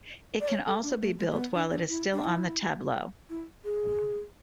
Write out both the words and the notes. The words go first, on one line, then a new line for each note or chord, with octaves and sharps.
It can also be built while it is still on the tableau.
D5
C#5
A4
D4
A3
G#3
A3
B3
D4
D4
E4
D4
E4
E4
G#4